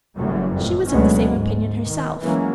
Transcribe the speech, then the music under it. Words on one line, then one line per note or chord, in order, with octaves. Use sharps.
She was of the same opinion herself.
F#1 F#2 A2 E3 F#3 G3
F2 A2
D2 B2 F#3 G#3 B3 C#4
G#2
D#3
E3 F#3 G#3 A#3 C#4